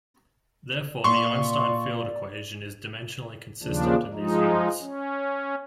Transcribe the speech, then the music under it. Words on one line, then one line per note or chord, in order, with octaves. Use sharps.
Therefore the Einstein field equation is dimensionally consistent in these units.
A#2 D5 C6 C#6
D#2 C#3 F3 D4
F3 G#3 D#4
C#4